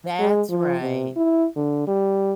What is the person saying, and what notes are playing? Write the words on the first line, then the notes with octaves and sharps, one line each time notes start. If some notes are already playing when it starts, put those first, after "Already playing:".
That's right.
G#3
F3
C3
E4
D3
G3